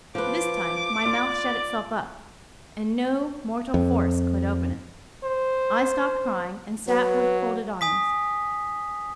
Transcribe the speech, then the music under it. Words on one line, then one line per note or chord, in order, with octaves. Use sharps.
This time my mouth shut itself up, and no mortal force could open it. I stopped crying, and sat with folded arms.
F3 B4 D6
F4 D5
F2
C5
F#3 B4
G#5 D#6 B6